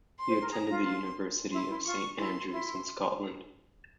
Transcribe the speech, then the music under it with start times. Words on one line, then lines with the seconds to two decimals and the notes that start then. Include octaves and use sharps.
He attended the University of Saint Andrews in Scotland.
0.19 C6
0.29 C5
0.41 A#4
0.52 G#4 A#5
0.69 F4
0.85 C6
1.52 E4 C6
1.70 E4
1.85 F4 C#6
2.19 E4 C6
2.52 E4 C6